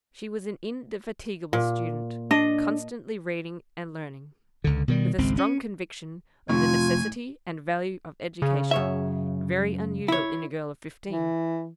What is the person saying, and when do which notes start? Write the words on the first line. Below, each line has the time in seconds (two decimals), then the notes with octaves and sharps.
She was an indefatigable student: constantly reading and learning; with a strong conviction of the necessity and value of education, very unusual in a girl of fifteen.
1.53 A#2
2.31 D4 D#5
4.64 C#2 D3
4.88 B2 D#3 G3
5.18 G#1 C#2 C4
5.38 C#4
6.49 A1 F2 A2 C3 F4 G#5 C#6
8.42 C#3
8.71 F#2 C#5 E5
10.08 E4 C#5
11.08 E3